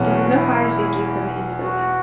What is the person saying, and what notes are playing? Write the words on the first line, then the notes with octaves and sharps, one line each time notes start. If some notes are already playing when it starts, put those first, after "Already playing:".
There was no fire safety equipment in the building.
Already playing: E1 E2 B2 F#3 C#4
F#4
E4
F#4